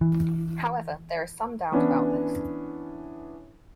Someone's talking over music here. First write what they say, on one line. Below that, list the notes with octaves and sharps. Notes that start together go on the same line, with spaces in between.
However, there is some doubt about this.
E3
E3 B3 C#4 D4 E4